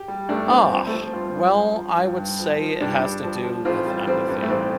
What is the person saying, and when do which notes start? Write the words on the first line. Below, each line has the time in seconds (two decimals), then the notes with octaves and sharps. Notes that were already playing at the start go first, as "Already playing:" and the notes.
Ah! Well, I would say it has to do with empathy.
Already playing: G4
0.08 G3
0.29 G2 A3 D4
0.50 G2 C4
0.71 F3 C4
0.87 A3
0.92 F3 C4
1.13 G2 C4 F4
1.34 G2
1.55 F3
1.76 F3
1.97 G2
2.18 G2
2.39 F3
2.60 F3
2.81 G2 D4 G4
3.02 G2
3.23 F3
3.44 F3
3.65 A1 C4 F4
3.86 G3
4.07 A1 C4
4.28 G2
4.42 A3
4.49 A1 C4